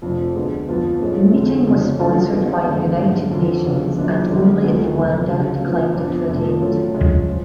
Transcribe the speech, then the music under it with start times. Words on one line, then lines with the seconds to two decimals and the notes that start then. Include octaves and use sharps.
The meeting was sponsored by the United Nations, and only Rwanda declined to attend.
0.02 F1 F2 F3
0.35 D2 D3 G#3 B3
0.68 F2 F3 B3 F4
1.01 G#2 G#3 C#4 F4
1.35 F2 D3 G#3
1.67 F2 C#3 G#3 C#4
2.00 A1 A2 F#3 A3 F4
2.33 G#1 G#2 G#3 B3
2.66 F#1 F2 D3 G#3
2.99 G#1 F#2 D3 G#3
3.31 F2 D3 F3
3.64 C#2 C#3 F#3 B3 D4
3.98 F#1 F#2 F3 G#3 D4
4.30 F#1 F#2 D3 G#3 D4
4.63 D2 D3 F3 G#3 B3
4.96 F1 F2 D3
5.29 C#2 C#3 F#3
5.62 A2 F3 B3 D4
5.95 F2 F3 B3 D4
6.28 F1 F2 F3 A3 F4
6.61 A2 F#3 A3 C#4 F4
6.93 F#2 C#3 G#3 C#4 F4
7.29 F3